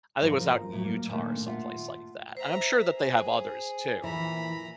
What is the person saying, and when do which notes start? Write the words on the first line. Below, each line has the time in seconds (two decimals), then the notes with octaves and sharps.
I think it was out in Utah or someplace like that, and I'm sure that they have others too,
0.21 G#2 F3 D#4 A#4 C5
0.38 F4 A#4
0.72 A2 F3 F#3
0.85 A#3
1.09 A#2 D#3 A3 A#3 D4
1.47 F4 E5 F#5
2.37 C5 E5 A#5
2.97 G#4
4.04 A#2 E3 A#5 B5